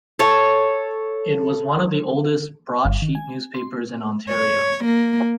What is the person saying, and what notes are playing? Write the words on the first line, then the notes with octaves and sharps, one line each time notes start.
It was one of the oldest broadsheet newspapers in Ontario.
A4 C#5
G1
D#3
G#5
C6
C#5
A#3